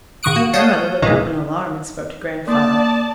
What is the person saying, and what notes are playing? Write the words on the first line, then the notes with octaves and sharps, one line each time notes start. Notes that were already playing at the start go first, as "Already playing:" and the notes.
Grandmother looked up in alarm and spoke to grandfather.
A#1 D#3 C#6 D#6 F#6 D7
A#3 F#4
C#5 F5 F#5 A5 D#6 G6
C2 G2 A#2 D#3 E3 G#3
A#3 D5 A5